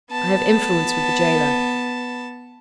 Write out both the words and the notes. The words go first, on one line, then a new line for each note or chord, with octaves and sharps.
I have influence with the gaoler.
B3 A5